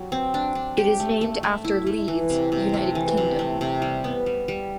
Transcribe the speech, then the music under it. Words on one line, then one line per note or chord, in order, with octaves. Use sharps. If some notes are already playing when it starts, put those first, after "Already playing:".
It is named after Leeds, United Kingdom.
Already playing: F#3 G4
C4
D4
D4
G4
A3
A3
A3
E4
A3
E3
C3
C3
A3
E3
C3
A3
C3
G3
B3
G3
G3